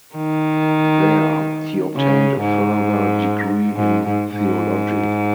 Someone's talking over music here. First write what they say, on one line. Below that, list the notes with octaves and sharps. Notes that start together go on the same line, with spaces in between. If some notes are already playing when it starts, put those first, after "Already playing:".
There, he obtained a further degree in theology.
D#3
C#3
G#2
G#2
G#2
G#2